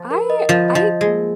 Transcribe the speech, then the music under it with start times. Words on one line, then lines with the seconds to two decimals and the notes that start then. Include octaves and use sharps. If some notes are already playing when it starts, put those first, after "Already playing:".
I I
Already playing: F3
0.11 A#4
0.30 D#5
0.49 F3 F4
0.68 D#5
0.75 F3
0.88 F4
1.01 G#3
1.07 A#3